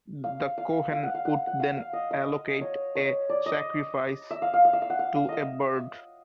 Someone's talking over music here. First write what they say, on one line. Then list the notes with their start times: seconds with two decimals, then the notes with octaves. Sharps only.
The Kohen would then allocate a sacrifice to a bird.
0.24 F5
0.58 F5
0.92 F5
1.03 F#5
1.15 F5
1.25 F#5
1.47 F#5
1.60 F5
1.77 F5
1.93 D#5
2.11 D#5
2.61 C#5
2.95 C#5
3.29 D5
3.46 D#5
4.31 E5
4.42 F5
4.54 F5
4.65 F5
4.73 E5
4.82 F5
4.90 F#5
4.99 F5
5.16 F5
5.29 D#5 E5